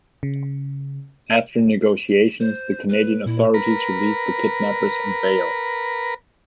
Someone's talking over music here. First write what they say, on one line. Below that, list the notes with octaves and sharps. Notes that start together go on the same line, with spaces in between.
After negotiations, the Canadian authorities released the kidnappers on bail.
C#3
C5
B4
A#2 E4
A#4 B4